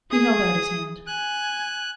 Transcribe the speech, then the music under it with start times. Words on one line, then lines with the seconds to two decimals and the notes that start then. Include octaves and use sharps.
He held out his hand.
0.11 G#4 D#6
1.07 G#5 F#6